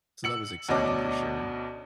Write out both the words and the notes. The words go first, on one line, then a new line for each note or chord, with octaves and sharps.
So that was exciting, for sure.
E6 C#7 F#7
D2 B2 C#4 D4 D#5 D6